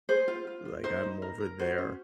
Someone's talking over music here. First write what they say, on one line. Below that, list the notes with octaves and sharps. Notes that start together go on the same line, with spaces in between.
Like, I'm over there
G#4 C5
F4
F4
F4
D#4 C5
D#4
A#4
A#4
F#4 C5
C#4